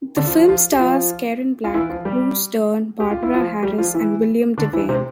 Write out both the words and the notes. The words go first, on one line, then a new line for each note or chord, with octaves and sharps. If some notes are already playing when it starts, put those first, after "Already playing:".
The film stars Karen Black, Bruce Dern, Barbara Harris and William Devane.
D3 D4
F3 F4
F3 F4
F3 F4
G4
F3 F4
F4
E3 E4
F3 F4
G3 G4
G4
F4
E4
F3 F4
G3 G4
F3 F4
E3 E4
D3 D4
E3 E4
C3 C4